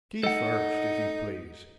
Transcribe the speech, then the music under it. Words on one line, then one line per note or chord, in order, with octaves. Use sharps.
Tea first, if you please!
D#4 A4 F#5